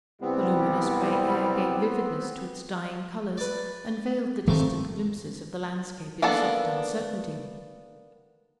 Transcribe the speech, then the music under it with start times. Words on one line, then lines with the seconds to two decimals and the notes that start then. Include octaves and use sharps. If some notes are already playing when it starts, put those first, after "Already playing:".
The luminous grey air gave vividness to its dying colours, and veiled the distant glimpses of the landscape in soft uncertainty.
0.22 C2 G3 B3 C4
3.38 B4 D5
4.48 F2 D#3 A3 C4 D#4
6.22 A#3 B3 D4 A4